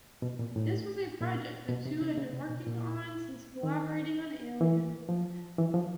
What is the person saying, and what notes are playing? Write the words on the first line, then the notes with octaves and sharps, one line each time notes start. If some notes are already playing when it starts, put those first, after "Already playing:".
This was a project the two had been working on since collaborating on "Alien".
B2
A#2
A2
A#2
B2
C3
C#3
C#3
C3
B2
A#2
D#3
E3
F3
E3
F3